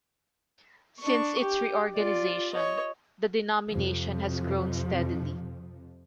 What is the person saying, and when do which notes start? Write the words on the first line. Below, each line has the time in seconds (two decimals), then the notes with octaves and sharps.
Since its reorganization, the denomination has grown steadily.
1.00 D4 C#6
1.41 G4
1.96 F4 D5
2.54 C#5 D#5
3.70 F2 C3 F3